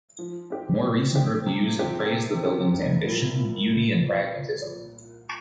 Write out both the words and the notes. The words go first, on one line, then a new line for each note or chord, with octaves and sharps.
More recent reviews have praised the building's ambition, beauty, and pragmatism.
F3
C4 G4
F3
C4 G4
C3
F3 C4 G4
C3
F3 C4 G4
C2
A#2 F3 A#3 E4